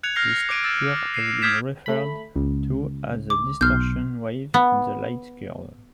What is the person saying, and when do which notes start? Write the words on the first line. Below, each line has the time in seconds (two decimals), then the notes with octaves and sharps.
This structure has been referred to as a distortion wave in the light curve.
0.03 F#6 G#6 C#7 F7
0.16 F6 G6 A#6 C7 F7
0.49 D6 F#6 D7 D#7
0.64 E6 A6 E7
1.14 C7 D#7 E7
1.42 D#6 F6 G6 G#6 B6 E7
1.86 A3 B5
2.36 C#2
3.30 D6
3.61 B1 C6 F6 G6
4.54 B3